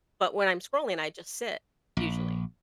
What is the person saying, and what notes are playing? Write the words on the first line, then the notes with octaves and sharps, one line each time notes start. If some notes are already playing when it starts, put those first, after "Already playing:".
But when I'm scrolling, I just sit, usually.
A#1